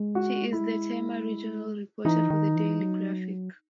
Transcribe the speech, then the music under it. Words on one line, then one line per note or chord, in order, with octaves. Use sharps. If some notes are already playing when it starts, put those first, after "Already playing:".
She is the Tema regional reporter for the Daily Graphic.
Already playing: G#3
F#4
E4
E3 D#4
D#3
E3
F#3